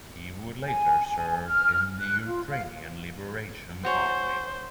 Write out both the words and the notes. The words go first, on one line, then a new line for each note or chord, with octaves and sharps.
He would later serve in the Ukrainian Liberation Army.
G#5
F6
F#6
F4
F5
F#4 C5 C#5 G#5